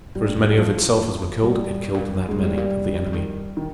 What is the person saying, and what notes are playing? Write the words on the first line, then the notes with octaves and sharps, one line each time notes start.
For as many of itself as were killed, it killed that many of the enemy.
G2 G3
G#3
F2
G3
G2 F3
G#2
G2
F2
G#2 G3
C3
A#2
G#2
A#2
G2 G#3
G#2 G3
A#2 G3
C3
D3
D#3
D#3